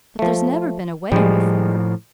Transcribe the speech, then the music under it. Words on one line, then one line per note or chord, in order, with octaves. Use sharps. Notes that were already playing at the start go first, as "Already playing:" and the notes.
But there's never been a wedding before.
F3 A3
A2 F3 G3 G#3